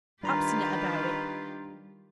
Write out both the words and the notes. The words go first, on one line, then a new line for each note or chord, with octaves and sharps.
Obstinate about it.
D#3 G3 D4 F4 G4 B4 A#5 C6